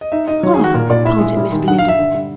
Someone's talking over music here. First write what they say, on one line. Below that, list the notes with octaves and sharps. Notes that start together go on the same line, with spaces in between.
"Ah!" panted Miss Belinda.
D#5
D#4 E5
D#4 D#5
F#3 C#5
G#4
D#3
F#4
A#2 A#4
A#2 D5
E4 E5
G#3
G3
D#3
G2 F#5
F5
G2
E5
D3
G3